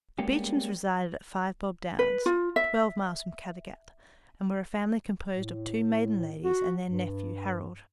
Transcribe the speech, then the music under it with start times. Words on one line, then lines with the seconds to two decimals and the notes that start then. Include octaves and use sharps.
The Beechams resided at Five-Bob Downs, twelve miles from Caddagat, and were a family composed of two maiden ladies and their nephew, Harold.
0.19 G3 G#3 A#3 B3 C#4 G4
1.99 B4
2.26 F4
2.56 E5
5.31 A2
6.44 F#4
6.86 G2